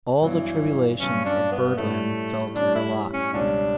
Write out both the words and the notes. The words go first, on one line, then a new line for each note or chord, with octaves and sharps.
All the tribulations of birdland fell to her lot.
G2 E3 F#3 B3
G2 F#3 B3 C#4
D4
B3
A2 G3 A3 C#4
A2 G3 C#4 D4
E4
C#4
C#2 B2 G3 C#4 D4